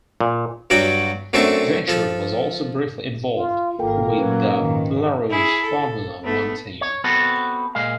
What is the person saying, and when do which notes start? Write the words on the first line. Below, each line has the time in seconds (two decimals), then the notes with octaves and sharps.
Venturi was also briefly involved with the Larrousse Formula One team.
0.21 A#2
0.70 G2 F#3 F#4 D5 G5
1.33 F#2 A3 C4 D4 A4 C#6
1.88 F3 A4
3.36 F4
3.79 G#1 A#3 F4 A4 A#4 G5
4.17 A#2 F#3 C#4 B4
4.60 F2 G#2 D#3
5.30 E4 G#4
5.63 A4
6.23 A3 B3
6.81 C#5
7.04 B3 C4 F#4 A4
7.75 A#2 G#3 F5